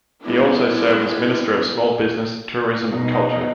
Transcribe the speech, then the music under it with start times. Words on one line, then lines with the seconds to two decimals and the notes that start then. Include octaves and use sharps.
He also served as Minister of Small Business, Tourism and Culture.
0.22 G3 G#3 B3 D4 E4
2.87 B2 D#4